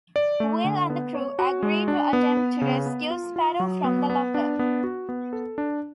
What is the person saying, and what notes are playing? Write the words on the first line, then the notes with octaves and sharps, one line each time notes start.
Will and the crew agree to attempt to rescue Sparrow from the Locker.
D5
A3
D3
B3
C#5
F#4
G#3
D4
B3
B4
C#3
B3
F4
F4
F#3
B3
B3
D4
B3
F#4
B3
A4
D4